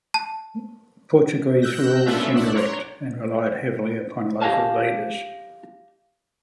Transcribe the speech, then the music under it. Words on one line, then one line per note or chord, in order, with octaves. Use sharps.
Portuguese rule was indirect and relied heavily upon local leaders.
A5
E6 F#6 G6 A#6
A3 B3 C#4 D4 F4 E5
B1 D4 D5 F#5 B6
C#5 A#5 C6
G4 D#5 F5 G#5 A5